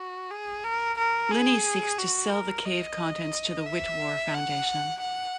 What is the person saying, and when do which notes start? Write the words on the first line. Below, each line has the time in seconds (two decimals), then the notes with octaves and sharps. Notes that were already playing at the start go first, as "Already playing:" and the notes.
Lini seeks to sell the cave contents to the Wittwar Foundation.
Already playing: F#4
0.30 G#4
0.64 A#4
0.98 A#4
1.31 G#4
1.98 F#4
2.32 A#4
2.66 D#5
3.67 E5
4.34 F#5
5.01 F#5